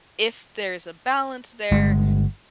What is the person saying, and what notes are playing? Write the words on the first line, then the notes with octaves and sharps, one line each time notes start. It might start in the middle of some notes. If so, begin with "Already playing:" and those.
if there's a balance there
G1 G#3